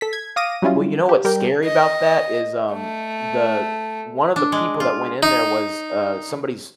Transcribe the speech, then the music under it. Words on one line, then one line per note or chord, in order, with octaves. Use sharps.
Well, you know what's scary about that? Is, um, the one of the people that went in there was, uh, somebody's
A4 B6
G#6
F5 D6 D#6 A#6 D#7
F#3 G3 C#4 E4 F4
G4
G3 G4 A#4 G5
D#5
A3
D4
G#3
F4
D#4